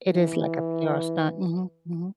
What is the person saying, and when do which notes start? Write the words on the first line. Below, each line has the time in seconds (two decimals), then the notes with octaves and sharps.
It is, like, a PR stunt. Mhm, mhm.
0.12 E3